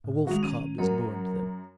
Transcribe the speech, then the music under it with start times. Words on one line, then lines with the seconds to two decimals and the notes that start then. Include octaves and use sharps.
A wolf cub is born to them.
0.04 A2
0.27 D#3 G#3 F#4 F7
0.43 D#3 C#4 D#7
0.78 F#2 F#4 A#4